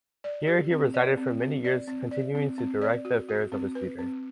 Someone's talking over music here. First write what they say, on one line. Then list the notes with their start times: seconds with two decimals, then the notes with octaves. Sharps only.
Here he resided for many years continuing to direct the affairs of his theatre.
0.24 D5
0.47 G4
0.71 C4
0.94 D5
1.17 C4
1.41 C4
1.64 D5
1.88 C4
2.11 D5
2.35 C4
2.58 C4
2.82 D5
3.05 F#4
3.29 F#4
3.52 C4
3.75 B4
3.98 C4